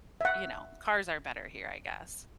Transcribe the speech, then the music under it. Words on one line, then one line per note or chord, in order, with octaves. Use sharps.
you know cars are better here, I guess.
E5 F#5